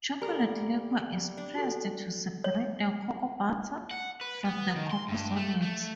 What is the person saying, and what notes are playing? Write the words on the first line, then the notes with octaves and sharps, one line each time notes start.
Chocolate liquor is pressed to separate the cocoa butter from the cocoa solids.
G3 G4 A4 A#4
D4
F#4 G4 A4
C#5
F#5
B4
B3
D#3
C6
G2
A3
A3